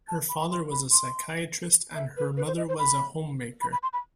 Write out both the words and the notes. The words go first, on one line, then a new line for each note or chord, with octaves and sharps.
Her father was a psychiatrist and her mother was a homemaker.
A5
B5
B5
C6
B5
C6
E5
B4
B4
C5
D#5
C5
B5
B5
B5
C6
B5